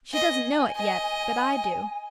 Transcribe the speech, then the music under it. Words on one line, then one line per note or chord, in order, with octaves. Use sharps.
She doesn't know it yet; but I do.
D#5 G#5
D#5